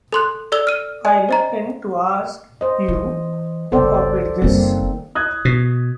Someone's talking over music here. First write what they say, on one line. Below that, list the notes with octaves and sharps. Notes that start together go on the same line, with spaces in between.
I looked in to ask you who copied this.
A4 C6 F#6
A4 D5 E6 G7
F6 D#7
D5 G#5
C5 D#5 A#5
C5 D#5
E3
G1 C#2 A4 C5 D5
F#1 D#3 G3 A#3 C4
D#6 F#6 G#6
B2